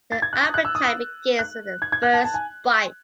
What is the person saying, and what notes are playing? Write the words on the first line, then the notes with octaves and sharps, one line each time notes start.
The appetite begins with a first bite.
A6
G#6
F#6
D#6
F#6
E6
D#6
E6
F#6
G#6
G#6
F#6
A5
A5
G#5